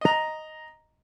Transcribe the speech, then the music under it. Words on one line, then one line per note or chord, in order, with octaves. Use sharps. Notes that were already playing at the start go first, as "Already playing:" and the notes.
It is celebrated by all sections of the tribe.
D#5 A#5